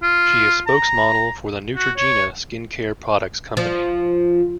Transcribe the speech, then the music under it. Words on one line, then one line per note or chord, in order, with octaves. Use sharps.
She is a spokesmodel for the Neutrogena skin care products company.
F4
A#5
F#4
C#5
F3